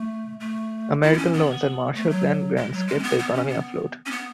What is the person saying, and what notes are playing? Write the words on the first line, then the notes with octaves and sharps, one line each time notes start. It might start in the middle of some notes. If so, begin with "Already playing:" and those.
American loans and Marshall Plan grants kept the economy afloat.
Already playing: A3
A3
E4
B3
C#4
B3
A3
F#3
G#3
F#3
G#3
C#4
B3
B3
C#4
B3
C#4
B3